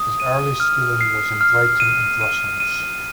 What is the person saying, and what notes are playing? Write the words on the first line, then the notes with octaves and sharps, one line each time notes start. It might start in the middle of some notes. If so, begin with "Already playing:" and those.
His early schooling was at Brighton and Brussels.
Already playing: D#6
D#7
F6
C7
F6
D#7
D#7
D#7